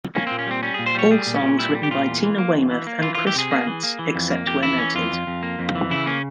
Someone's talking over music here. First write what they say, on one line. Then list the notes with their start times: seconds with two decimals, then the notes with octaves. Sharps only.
All songs written by Tina Weymouth and Chris Frantz, except where noted.
0.15 A#3 C#4
0.27 A#2 C4
0.39 C#4
0.47 G3 C4
0.63 G3 C#4
0.74 A#2 G#4
0.86 C5
0.95 G3 C#5
1.11 G3 G#4
1.27 A#2
1.35 C#4
1.42 A#2
1.59 G3 E4
1.75 G3
1.83 G4
1.91 A#2 F4
2.07 E2
2.23 E3
2.38 A#3
2.55 E2
2.71 E3
2.87 A#3
3.02 E3 F4
3.15 E3 F4
3.27 G4
3.35 C3 G#4
3.51 A#3
3.67 E3
3.83 A#3
3.99 E3
4.15 F2
4.30 A#3
4.46 F2 G4
4.63 E3 E4
4.78 E3 C#4
4.95 F2 F4
5.11 F2
5.27 F2
5.43 A#3
5.59 F2
5.75 E3
5.90 C#3 E4
6.06 A#3 C#4